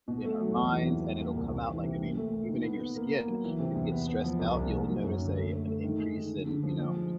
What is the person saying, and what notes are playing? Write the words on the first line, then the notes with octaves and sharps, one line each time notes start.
in our minds and it'll come out like, I mean, even in your skin, if you get stressed out, you'll notice a an increase in, you know,
B2
A3
F#3
E2
E3
E2
G3
A#2
C2
C3
E3
C3
A#2
A3
A#2
D#3
B3
B3
A#3
A#3
F#3
E3
C3
E2
B3
B3
F3
C2
C2
A#2
F#3
F#2
D3
A3
A3
A3
D#3
G#3
D#3
D3
D3
F3
F3
G#3